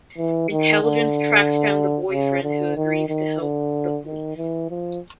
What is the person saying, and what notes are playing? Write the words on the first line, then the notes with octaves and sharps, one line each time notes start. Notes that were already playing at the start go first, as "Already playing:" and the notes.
Intelligence tracks down the boyfriend who agrees to help the police.
E3
D#3
D3
C#3
D3
D#3
D#3
D3
D#3
E3
F3